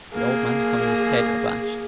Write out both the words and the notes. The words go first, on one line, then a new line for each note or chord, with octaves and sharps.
The old man hung his head, abashed.
A#3 G#4